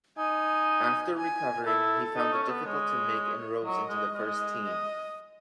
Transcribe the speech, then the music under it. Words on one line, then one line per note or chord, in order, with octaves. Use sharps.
After recovering, he found it difficult to make inroads into the first team.
D#4 G#5
G#5
E4 A4
D#4
C#4
C#4
B3
G#3 C#5
F#3 D#5
G#3
G#3
D#5